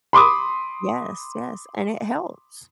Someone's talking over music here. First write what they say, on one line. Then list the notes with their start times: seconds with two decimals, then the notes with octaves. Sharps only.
Yes, yes, and it helps.
0.13 B5 C6 D6 D#6